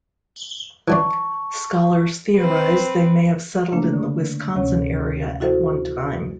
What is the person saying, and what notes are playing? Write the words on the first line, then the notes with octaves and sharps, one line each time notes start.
Scholars theorize they may have settled in the Wisconsin area at one time.
E3 F#3 D4 A5 C#6
C4 B4
C#3 A3 A#3 D4
D3
D2 C3 C#4 C#5
E4 F#4 A4 C5